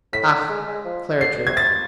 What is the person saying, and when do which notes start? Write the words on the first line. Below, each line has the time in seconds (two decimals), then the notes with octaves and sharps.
"Ah!" Clara drooped.
0.13 A2 B6
0.30 D3
0.49 G#3
0.67 G#3
0.85 F3
1.21 D3 C7
1.47 C3 G#6
1.57 A6